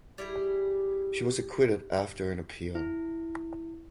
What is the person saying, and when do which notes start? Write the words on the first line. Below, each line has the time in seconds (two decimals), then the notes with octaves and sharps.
She was acquitted after an appeal.
0.18 G3 E4 G4 G#4
2.75 E4